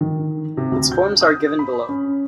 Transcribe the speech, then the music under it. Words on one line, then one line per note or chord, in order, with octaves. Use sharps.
Its forms are given below.
D#3
C3
D2
G6
D#6
B5
C#4